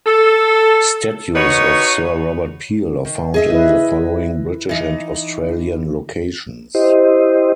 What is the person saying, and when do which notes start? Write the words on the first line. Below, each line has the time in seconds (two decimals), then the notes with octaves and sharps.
Statues of Sir Robert Peel are found in the following British and Australian locations.
0.06 A4
1.35 D#4 F#4 B4 C#5
3.05 D#3
3.34 G#4 D#5 E5
3.52 E4 B4
4.69 E3 D#4
6.75 E4 G4 C5 D#5